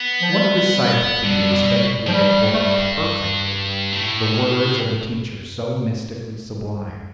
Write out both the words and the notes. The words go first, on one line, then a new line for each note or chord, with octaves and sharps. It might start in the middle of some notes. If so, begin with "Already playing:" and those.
What disciple could be expected to report perfectly the words of a teacher so mystically sublime?
Already playing: B3
F3
G3
D3 G3
B2
A2 F3
G2 G3
A3
G3
A2